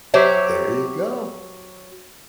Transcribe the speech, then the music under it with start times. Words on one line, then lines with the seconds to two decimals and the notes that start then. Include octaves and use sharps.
There you go.
0.14 F#3 G4 C5 C#5 E5